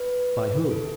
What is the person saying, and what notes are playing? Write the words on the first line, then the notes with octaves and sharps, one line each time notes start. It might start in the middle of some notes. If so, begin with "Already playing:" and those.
"By whom?"
Already playing: B4
A4